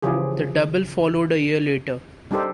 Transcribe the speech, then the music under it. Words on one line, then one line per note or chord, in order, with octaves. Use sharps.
The double followed a year later.
C#3 E3 F3 G4 G#4
G3 D4 D#4 G4 A4 C5